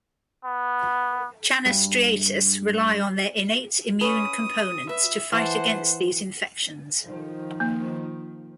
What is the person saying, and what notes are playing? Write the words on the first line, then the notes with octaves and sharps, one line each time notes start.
Channa striatus rely on their innate immune components to fight against these infections.
B3
G2
C#4 B4 D#6
B4 E5
E3 C5 F#5 A5
D#3 F3
A#3